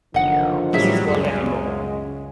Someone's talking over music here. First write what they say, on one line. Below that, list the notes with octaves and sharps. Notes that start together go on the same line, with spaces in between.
This is called a hanger.
F#1 D3 D#3 F3 D#5 F#5
A1 F#3 G3 E4 G#4 E5
C#2 F#2 C#3 G#3 G#4